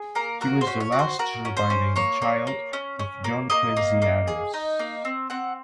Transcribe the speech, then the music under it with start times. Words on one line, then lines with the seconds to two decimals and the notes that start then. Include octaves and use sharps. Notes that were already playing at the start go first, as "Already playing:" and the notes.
He was the last surviving child of John Quincy Adams.
Already playing: G#4
0.15 A#3 A#4
0.41 F#4 A#4
0.61 C5
0.67 C#4
0.80 C#5
0.92 F#4
0.99 C5
1.19 F#4 A#4
1.45 C#4
1.57 C5
1.70 C#4
1.96 A#3 C#5
2.22 A#3
2.47 A#3
2.73 C#4
2.99 C#4
3.24 A#3
3.50 A#3 D#5
3.76 A#3
4.02 A#3
4.27 G#4
4.54 D#4
4.79 A#3
5.05 C4
5.30 C4 F#5